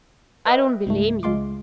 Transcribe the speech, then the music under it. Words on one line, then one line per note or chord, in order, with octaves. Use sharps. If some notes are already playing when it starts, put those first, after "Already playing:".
I don't blame you.
B4 D#5 E5 G5
C#2 G#2 A3
C#2 G#3 F4 C6 D6